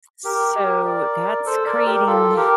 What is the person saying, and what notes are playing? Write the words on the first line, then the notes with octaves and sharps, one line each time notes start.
So, that's creating
G4 A#4
G4 A#4
A#4 D5
A4 C5
A#4 D5
G4 A#4
F4 A4
G4 A#4